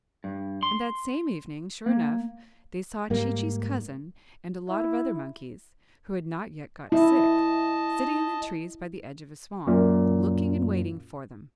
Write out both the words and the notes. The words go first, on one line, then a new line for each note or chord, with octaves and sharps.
And that same evening, sure enough, they saw Chee-Chee's cousin and a lot of other monkeys, who had not yet got sick, sitting in the trees by the edge of a swamp, looking and waiting for them.
G2
C6
A#3
G#2 G3 A#3
E4
E4 D#5 A5
F#2 A#2